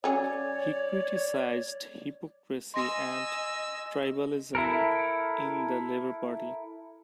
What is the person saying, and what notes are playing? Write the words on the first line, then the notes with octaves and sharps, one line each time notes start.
He criticised hypocrisy and tribalism in the Labour Party.
F#3 C#4 C#5 D5
D#5 G#5 C6 E6 A#6
E4 A4 A#4